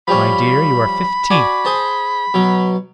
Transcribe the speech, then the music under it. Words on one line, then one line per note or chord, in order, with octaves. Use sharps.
"My dear, you are fifteen."
F3 G3 C#4 B5
F#4 D5 G#5
G#4 C5 A5
B2 F#3